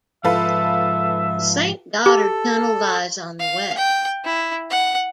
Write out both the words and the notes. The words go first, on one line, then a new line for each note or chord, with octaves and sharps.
The Saint Gotthard Tunnel lies on the way.
G#2 F3 F4 A4 B4 E5
G4 A4
F5
G5
E4
F#5